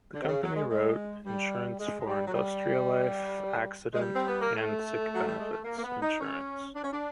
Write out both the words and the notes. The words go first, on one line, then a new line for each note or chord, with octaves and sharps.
The company wrote insurance for industrial life, accident and sick benefits insurance.
D3
C3
C#3
F#3
G#3
G#3
G3
G#3
G#3
G3
F#3
G3
G#3
G3
C4
B3
A#3
A3
F#3
G3
G#3
A3
A#3
A#3
B3
D#4
C#4
D4
C#4
D4